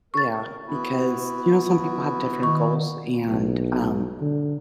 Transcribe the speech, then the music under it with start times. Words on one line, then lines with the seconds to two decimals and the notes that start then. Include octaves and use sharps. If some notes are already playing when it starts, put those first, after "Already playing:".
Yeah, because, you know, some people have different goals and, um
0.14 A#4 C#6 A6
0.67 B3 E4 F#4
2.42 D#3 C#6
3.28 B1
4.21 D3